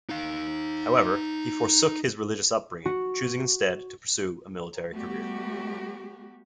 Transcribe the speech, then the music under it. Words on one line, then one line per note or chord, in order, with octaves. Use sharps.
However, he forsook his religious upbringing, choosing instead to pursue a military career.
D#4 F5
F#4
G3 A3 B3 F#4 G4